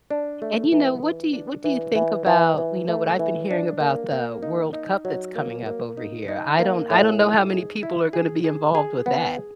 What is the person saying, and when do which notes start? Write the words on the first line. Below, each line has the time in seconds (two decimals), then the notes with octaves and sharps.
And you know, what do what do you think about, you know, what I've been hearing about the World Cup that's coming up over here, I don't I don't know how many people are gonna be involved with that
0.10 D4
0.42 A3
0.72 E3
1.03 E3
1.33 D4
1.64 E3
1.95 E3
2.27 E3
2.58 E3
2.88 A3
3.19 E3
3.51 D4
3.80 A#3
4.12 A#3
4.43 D#4
4.73 D#4
5.05 F#3
5.36 A#3
5.66 A#3
5.97 D#4
6.28 D#4
6.59 A#3
6.90 A2
7.21 D#4
7.52 G#4
7.83 E4
8.13 G#4
8.44 G#4
8.75 G#4
9.06 B3
9.37 G#4